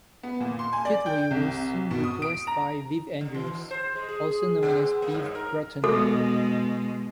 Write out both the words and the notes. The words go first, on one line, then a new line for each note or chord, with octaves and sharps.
Kitley was soon replaced by Viv Andrews, also known as Viv Broughton.
B3
A#2
C6
G#5
D5
G5
C2
B2
D#6
D7
A#5
D3
E3
B2
C5
G#3
G#4
G#4
B2
B3
A#3
G2
A#4
B2 G#3 A4